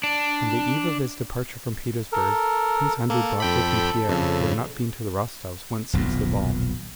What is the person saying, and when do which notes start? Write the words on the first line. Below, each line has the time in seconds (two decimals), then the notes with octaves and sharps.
On the eve of his departure from Petersburg Prince Andrew brought with him Pierre, who had not been to the Rostovs' once since the ball.
0.04 D4
2.12 A4 A#4
3.10 A#3 A4
3.40 F2 G5 B5
4.09 F2 C#3
5.93 D#1 B1 F2 A#2